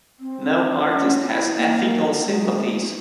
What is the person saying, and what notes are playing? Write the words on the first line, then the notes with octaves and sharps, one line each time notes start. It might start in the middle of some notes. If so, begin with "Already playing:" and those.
No artist has ethical sympathies.
C4
E4
C#4
E4
A#3
G#3